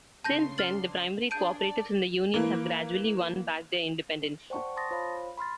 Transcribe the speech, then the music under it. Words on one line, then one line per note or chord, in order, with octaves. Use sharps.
Since then, the primary co-operatives and their union have gradually won back their independence.
C#3 A5 C6 G6 A#6
D4 F6 A6 F#7
D4 G#4 A5 G6 D7 D#7
D5 A5
E3 A#3
C5 D5 F#5 G5 A5 C#6
A5 C6 D#6 A6 A#6
F4 C5 C#5 F5 B5
B5 C6 F6 A6